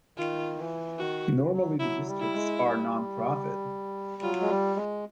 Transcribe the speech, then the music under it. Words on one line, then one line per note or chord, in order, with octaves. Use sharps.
Normally the districts are non-profit.
D#3 F4
E3
D#3 F#4
F#3
F#3 E4
G3
E4
G#3
G3
F#3 F4
G#3
G3
G#3